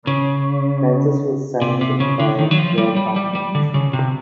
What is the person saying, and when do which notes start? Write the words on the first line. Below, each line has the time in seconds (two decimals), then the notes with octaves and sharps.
Francis was signed by Greg Hopkins.
0.07 C#3
1.62 C3
1.81 C3
2.00 C#3
2.20 D3
2.39 D#3
2.51 F#3
2.58 F3
2.78 G3
2.96 G3
3.16 G3
3.35 G3
3.55 D3
3.74 C#3
3.93 C3